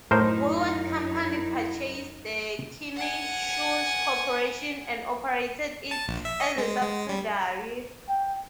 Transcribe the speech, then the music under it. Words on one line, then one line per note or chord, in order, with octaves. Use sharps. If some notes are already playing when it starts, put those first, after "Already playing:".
Woolworth Company purchased the Kinney Shoe Corporation and operated it as a subsidiary.
F#2 A2 D#4 E4 A#4 C5
F#5 G#5
A5
A#1
E5
D#5
G#3
G#3
G3
G5